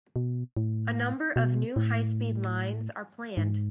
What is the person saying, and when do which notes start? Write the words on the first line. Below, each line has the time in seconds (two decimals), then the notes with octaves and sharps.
A number of new high speed lines are planned.
0.16 B2
0.57 A2
1.36 B2
1.76 A2
3.37 G#2